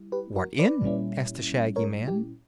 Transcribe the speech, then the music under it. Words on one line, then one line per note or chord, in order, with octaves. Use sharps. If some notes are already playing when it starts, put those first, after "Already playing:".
"What in?" asked the shaggy man.
Already playing: G3 E4
G4 B4
F#4 A#4
B4 D5
A#2 G3 C#4 E4
A#4 C#5
G4